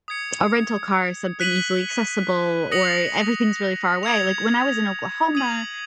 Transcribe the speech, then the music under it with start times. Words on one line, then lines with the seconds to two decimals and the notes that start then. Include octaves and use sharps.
a rental car or something easily accessible, or everything's really far away. Like, when I was in Oklahoma,
0.08 D#6 G#6 C#7
1.40 F#6 B6 D#7 F#7
2.72 D#6 A#6 C#7 F#7
4.03 D#6 G#6 C#7 F7
5.35 D#6 G#6 D#7 F#7